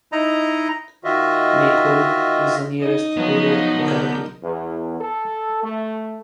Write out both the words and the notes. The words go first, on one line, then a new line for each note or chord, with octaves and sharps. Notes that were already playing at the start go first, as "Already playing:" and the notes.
Mezhgyul is the nearest rural locality.
D#4 E4 D#5 A#5
D#3 F4 F#4 D#5 E5
D#4 D#5
F3 F#3 B3
D3 A#4 G6
E2
A4
A3